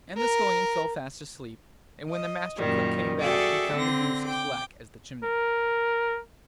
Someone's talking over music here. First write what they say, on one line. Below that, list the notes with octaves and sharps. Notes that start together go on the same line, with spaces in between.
And the Scullion fell fast asleep, and when the Master Cook came back he found the goose as black as the chimney.
A#4
D#5
F#2 A#2 D#3 G3
F#4 G#4 A4 D5 E5 G5
D3 C4 A#6
G5 D6
A#4